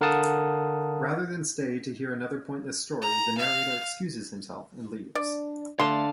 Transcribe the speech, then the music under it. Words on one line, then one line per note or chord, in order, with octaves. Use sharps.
Rather than stay to hear another pointless story, the narrator excuses himself and leaves.
D3 A#4 F5 F#5 A5 D#6
A#5
F5
D4 D5
D3 A3 F5 A5 C6